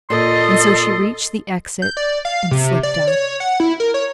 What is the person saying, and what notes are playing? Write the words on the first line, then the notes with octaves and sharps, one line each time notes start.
And so she reached the exit and slipped out.
A#2 A4 D#5 C6
G6
D5
F5
C3
D5
C#5
F#5
E4
A#4
C#5